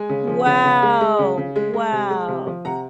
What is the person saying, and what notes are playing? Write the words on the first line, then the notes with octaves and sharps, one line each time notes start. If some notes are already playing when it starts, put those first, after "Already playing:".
Wow. Wow.
Already playing: G#3 G#5
C#3
F3
C#3
C#3
G#3
G#3
C#3
C#3
G#3
G#3
C3
G#3
C3
F3
C3 F#5 A#5